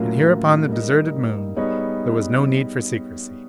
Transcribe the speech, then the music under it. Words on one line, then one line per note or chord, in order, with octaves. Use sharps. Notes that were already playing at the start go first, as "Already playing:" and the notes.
And here upon the deserted Moon there was no need for secrecy.
Already playing: A2 F#3 A#3 C#4 F4
G3 A#3 D#4
G3 B3 D#4 G#4 C#5